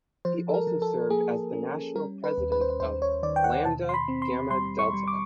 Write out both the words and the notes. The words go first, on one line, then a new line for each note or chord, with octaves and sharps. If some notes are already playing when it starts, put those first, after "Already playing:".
He also served as the national president of Lambda Gamma Delta.
F3 C5
A4
A#4
F3
A4
A#3 G#4
C#4
G3 A#4
B4
D#2
B4
C5
B4
D#2 C5
C#5
D#3 D5
G5
F#5
B2 A5
C6
B5
C4
C6
G3 C6
C#6
G3
D6